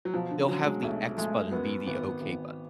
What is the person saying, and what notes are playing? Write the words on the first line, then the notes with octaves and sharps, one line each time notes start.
they'll have the x button be the okay button,
F#3
B2 F3
D3
F#3 C#4
G#3
B1 A3
G#3 A3
F#2 B3
G#1 B3
G#1